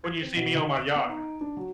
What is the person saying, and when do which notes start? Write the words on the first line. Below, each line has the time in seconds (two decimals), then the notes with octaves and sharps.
When you see me on my yacht.
0.04 G#6
0.22 C4
0.36 B2
0.55 D#3
0.76 D7
0.95 B3
1.09 D#4
1.41 D4
1.57 F#3